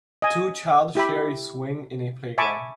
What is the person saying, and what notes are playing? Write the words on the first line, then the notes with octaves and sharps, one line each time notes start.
Two child share a swing in a playground.
D#5 G#5
E4 G4 E5 B5
E5 G#5 A5 B5 C#6 D6